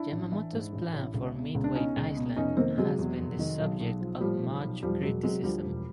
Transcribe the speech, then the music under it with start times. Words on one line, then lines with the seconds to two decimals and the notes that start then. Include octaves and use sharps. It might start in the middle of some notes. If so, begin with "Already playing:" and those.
Yamamoto's plan for Midway Island has been the subject of much criticism.
Already playing: D4 E4
0.11 A1
0.32 E3
0.53 G#2
0.73 A1
0.93 A1
1.14 C#2
1.34 B2
1.55 C#2
1.64 D4
1.75 B2 C#4 D#4
1.96 C#2
2.16 B2
2.36 F1 C#4 D#4
2.57 D#3 A#3 C4
2.78 C3 F#3 G#3
2.99 E2
3.19 F1
3.39 D#3
3.59 B1
3.80 B1
4.01 F3
4.21 A2 F3 G3
4.42 B1
4.62 B1
4.82 E1 F3 G3
5.03 E1 F#3 G#3
5.23 C3 F#3 G#3
5.43 D2 F3 G3
5.65 E1